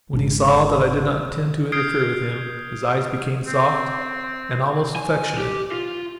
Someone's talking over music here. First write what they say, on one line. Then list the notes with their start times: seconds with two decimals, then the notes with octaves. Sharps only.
When he saw that I did not intend to interfere with him his eyes became soft and almost affectionate.
0.13 G#1 C#3 D4
1.72 D#6 F6 G6 G#6 C7 D7
3.47 C4
4.96 G#5
5.38 G4
5.72 F4